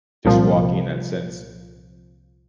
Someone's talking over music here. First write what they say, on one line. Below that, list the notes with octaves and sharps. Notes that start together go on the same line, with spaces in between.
just walking in that sense
C2 A#2 F3